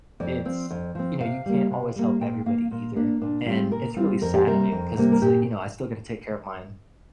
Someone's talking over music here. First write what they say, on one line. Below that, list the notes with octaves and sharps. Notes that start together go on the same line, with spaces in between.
it's, you know, you can't always help everybody, either. And it's really saddening 'cause it's like, you know, I still gotta take care of mine.
F2 D5
F3 C4
F2
F3 C4
C3 F5
G3 A#3
C3
G3 A#3
A#2 G5
A#3 F5
A#2
A#3 D4
A#2 D4
G3 C4 F4
A#2 A#4
G3 C4 F4
F2 A#4
G4
C3 G3 A#3 A#4
F2
C3 G3 A#3
A#4
A#2 G4